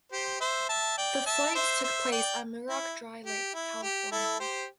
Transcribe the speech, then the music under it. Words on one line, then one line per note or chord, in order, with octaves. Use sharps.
The flight took place at Muroc Dry Lake, California.
G4 C5
C5 E5
E5 A5
D5 G5
E5 A5
C5 E5
C5 E5
D5 G5
E4
G4
E4
G4
E4 A4
G4 C5